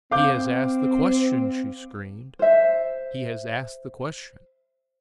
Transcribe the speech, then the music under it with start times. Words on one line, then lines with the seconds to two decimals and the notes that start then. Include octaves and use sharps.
"He has asked the question!" she screamed--"he has asked the question!"
0.11 C4 F5 D6 G6
2.39 C5 E5